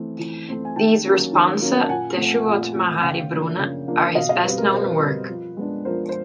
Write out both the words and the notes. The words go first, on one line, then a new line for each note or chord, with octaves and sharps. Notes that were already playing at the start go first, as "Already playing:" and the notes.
These "responsa", "Teshuvot Mahari Bruna", are his best known work.
Already playing: E3 A3 C4
E3
A3 C4
G#5
D#3 G5 A5
F#3 A#3 C#4
D#3
F#3 A#3 C#4
A5
A#2 F#5 G#5
F3 A3 C4
A#2
F3 A3 C4
C#3 F5 G5
F3 A#3 D4
C#3
F3 A#3 D4
B2 D#5 F5
D#5 F5
G3 C4 B4
A#4
B2 C5
B4
A#4
G3 C4 B4
F3
G#3 B3 D4
F3 A#4 C5
C5